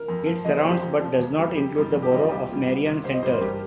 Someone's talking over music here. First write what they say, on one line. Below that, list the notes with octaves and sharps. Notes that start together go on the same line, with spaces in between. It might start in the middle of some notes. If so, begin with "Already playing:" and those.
It surrounds but does not include the borough of Marion Center.
Already playing: A#4
F2
F3
A#1 D#5
C5
A#2 F3
G4
F2
F3
D#2
D#3 G3
F2 G4
D#3 G3
F2
G4
D#3 G3 D#4
F4
C2 G4
A#2 G3
C2
C3 D#3
C2 C5
D#5
C3 G3 C5
A#4
G2 G4